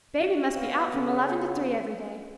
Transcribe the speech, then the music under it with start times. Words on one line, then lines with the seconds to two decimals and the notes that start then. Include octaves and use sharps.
Baby must be out from eleven to three every day.
0.20 F#4
0.55 B3 C#5 F5
0.94 C#3 C#4 G#4 A4